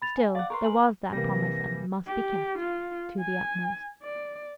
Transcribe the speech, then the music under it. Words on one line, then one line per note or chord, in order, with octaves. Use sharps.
Still, there was that promise, and it must be kept--to the utmost.
B5 A6 F7
G#5
D5 F5 F#5
A#4 B4 C6 C#6
G#5 F#7
C3 E3 G3 A#3 A#6
G4
F4
G#5
D5